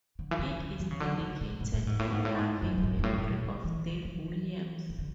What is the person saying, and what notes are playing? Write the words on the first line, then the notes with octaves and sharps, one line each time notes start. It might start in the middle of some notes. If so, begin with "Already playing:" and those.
It is dedicated "In Loving Memory of Dave Williams".
D3
E3
D3
D3
E3
C#3
D3
C#3
B2
G#2
A2
G#2
A2
G#2
A2
G#2
F#2
A2
G#2
G#2
A2
B2
D3
E3
D3
E3
C#3
D3